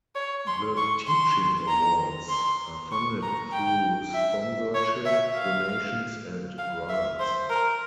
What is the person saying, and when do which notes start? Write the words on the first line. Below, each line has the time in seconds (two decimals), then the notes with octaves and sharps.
The Teaching Awards are funded through sponsorship, donations and grants.
0.15 C#5
0.47 C6
0.77 C#6
1.07 C6
1.68 A#5
2.30 C6
2.92 C#6
3.22 A#5
3.53 G5
4.14 E5
4.75 C#5
5.05 E5
5.36 F5
6.58 F5
6.89 E5
7.20 C5
7.50 A#4